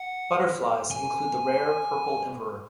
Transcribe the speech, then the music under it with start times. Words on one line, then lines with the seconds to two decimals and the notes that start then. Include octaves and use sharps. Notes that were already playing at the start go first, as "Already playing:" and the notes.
Butterflies include the rare purple emperor.
Already playing: F#5
0.91 G#5